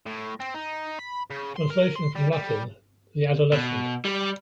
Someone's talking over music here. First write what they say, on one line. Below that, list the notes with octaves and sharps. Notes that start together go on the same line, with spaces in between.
Translation from Latin: “the adolescent”.
A2
C4
D#4
B5
C#3
C6
A#4
C6
G3
G3
B2
G3